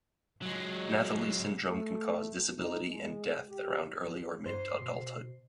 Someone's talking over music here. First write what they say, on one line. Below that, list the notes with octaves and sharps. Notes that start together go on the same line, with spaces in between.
Nathalie syndrome can cause disability and death around early or mid adulthood.
F#3 G#3
A3
D#4
G#3
G4
F3
G2 C5 C7
B2